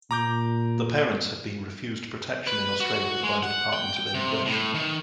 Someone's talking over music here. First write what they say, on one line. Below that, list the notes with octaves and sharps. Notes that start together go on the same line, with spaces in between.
The parents had been refused protection in Australia by the Department of Immigration.
A#2 A#5 D6 G6
B4
F#4
G#3
F#5
G5
G5
C3
A2
D#3